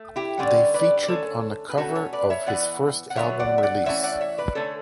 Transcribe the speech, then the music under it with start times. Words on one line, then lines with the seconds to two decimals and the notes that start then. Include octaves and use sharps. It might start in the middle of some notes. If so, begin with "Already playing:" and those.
They featured on the cover of his first album release.
Already playing: A3
0.16 E4 G4
0.39 D3 G3 C#4 D5 F#5
0.74 B4 D5
1.04 D5
1.08 D3 A3 C#4 A4 C#5
1.69 B4
1.77 B2 A3 C#4 F#4 A4
1.95 A4 C#5
2.13 B4 D5
2.30 C#5 E5
2.47 E3 B3 D5 F#5
3.10 F#5
3.16 D3 F#3 B3 C#5 E5
3.39 D5 F#5
3.58 E5
3.63 D5 F#5
3.86 E3 A3 C#4 C#5 E5
4.03 D5 F#5
4.21 C#5 E5
4.38 B4 D5
4.55 D3 A3 C#4 A4 C#5